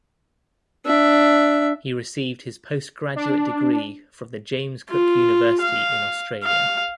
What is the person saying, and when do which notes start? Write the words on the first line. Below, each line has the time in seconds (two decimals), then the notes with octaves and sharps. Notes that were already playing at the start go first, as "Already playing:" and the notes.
He received his postgraduate degree from the James Cook University in Australia.
0.85 D4 E5
3.16 D4
4.90 F4
5.61 F5
6.44 F5